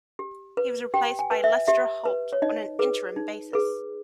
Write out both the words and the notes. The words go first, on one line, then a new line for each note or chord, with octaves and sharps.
He was replaced by Lester Holt on an interim basis.
G4
B4
G4 G5
G#5
B4
E5
G4 E5
B4
C#5
D#4 D#5
G#4 B4
D#4
G#4 B4